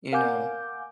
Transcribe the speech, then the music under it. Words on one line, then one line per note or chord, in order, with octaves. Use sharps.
you know,
A#4 F5 F#5 G#5 D6 G6